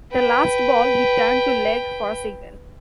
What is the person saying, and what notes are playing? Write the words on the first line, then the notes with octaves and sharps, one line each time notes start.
The last ball he turned to leg for a single.
B4 G5